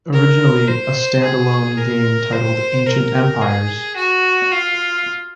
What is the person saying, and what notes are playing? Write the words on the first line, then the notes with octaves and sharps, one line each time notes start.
Originally a stand-alone game titled Ancient Empires!
A#4
C5
G#4
A#4
C5
A#4
G#4
F#4
F4